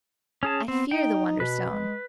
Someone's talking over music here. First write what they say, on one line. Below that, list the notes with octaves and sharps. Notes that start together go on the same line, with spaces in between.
I fear the Wonderstone.
C#4 G#4 A5
B3 C4
D#4 G5
B2 B4
G#3